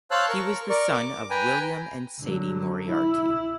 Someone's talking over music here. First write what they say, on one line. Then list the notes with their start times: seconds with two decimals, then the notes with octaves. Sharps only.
He was the son of William and Sadie Moriarty.
0.11 C5 C#5 F5 A5 E6 F#6
0.29 A#4 C#6
0.69 A#4 D5 C#6
0.93 D6
1.30 B4 G5 G#5 A#5
2.20 D3 F#3
2.90 E4